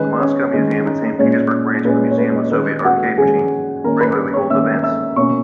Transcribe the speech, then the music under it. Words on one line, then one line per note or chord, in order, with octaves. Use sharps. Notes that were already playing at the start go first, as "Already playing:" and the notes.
The Moscow Museum and Saint Petersburg branch of the Museum of Soviet Arcade Machines regularly hold events.
Already playing: D#3 G#3 C#4 B4
C#4 C#5
D#3 G#3 C#4 C#5
D#4 D#5
A#2 G#3 C#4 C#5
A#2 G#3 C#4 B4
C#5
B4
D#5
C#5
D#3 G#3 C#4 B4
F#4 F#5
D#3 G#3 C#4 G#4 G#5
D#3 A#3 C#4 A#4 A#5
B4 B5
C#5 C#6
D#3 A#3 C#4 E5 E6
E5 E6
B2 A#3 C#4 C#5 C#6